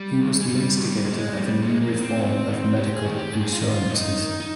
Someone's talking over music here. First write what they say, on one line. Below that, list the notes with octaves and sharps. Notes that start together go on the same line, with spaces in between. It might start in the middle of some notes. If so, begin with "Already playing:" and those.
He was the instigator of a new reform of medical insurances.
Already playing: G3
D#3
G#3
G#2 G3
D#3
A#3
A#2 G#3
F3 G3
A#2 G#3
A#3
F3
C4
G#2
D#3
G#2 G4
G#4
D#3
G4
F2 G#4
F4
D#3 D#4
F4
F2 D#4
D#3
D#4